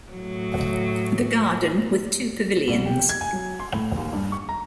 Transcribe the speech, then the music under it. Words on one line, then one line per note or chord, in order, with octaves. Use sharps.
The garden, with two pavilions.
A2 F#3
C2
G4
G#6
G#5
F#3
C6
A2
D#2
G2
C#6
A#5